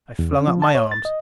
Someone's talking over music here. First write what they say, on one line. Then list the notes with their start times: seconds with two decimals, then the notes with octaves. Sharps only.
I flung up my arms.
0.19 E2
0.33 C#4
0.48 F3
0.62 A5
0.75 C#5
0.91 A6
1.05 D#5